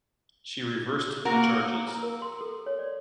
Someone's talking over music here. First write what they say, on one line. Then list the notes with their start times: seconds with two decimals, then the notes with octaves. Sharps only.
She reversed the charges.
1.25 A#3 F#4 A#4
1.88 A#5
2.03 A#4
2.22 C6
2.41 A4
2.66 C#5
2.79 D5